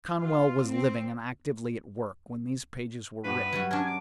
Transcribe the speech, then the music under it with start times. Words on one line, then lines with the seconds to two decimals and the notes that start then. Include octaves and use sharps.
Conwell was living, and actively at work, when these pages were written.
0.21 F4
0.68 C4
3.24 G2 B3 G4 B4
3.41 E5
3.53 F#3 G3 F#4
3.71 C#4 D4 A#4 G#5
3.87 D6